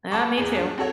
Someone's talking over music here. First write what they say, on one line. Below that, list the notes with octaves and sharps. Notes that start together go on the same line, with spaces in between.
Uh, me too.
F#5 A5 B5 C#6 D6
E2 G#4
D4
C4 F#4 A4 C#5 F#5